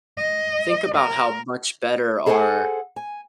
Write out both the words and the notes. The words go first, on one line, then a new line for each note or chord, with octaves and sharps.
Think about how much better our
D#5
A#4
G#4 A4 C5 D5 F#5 G#5
G#5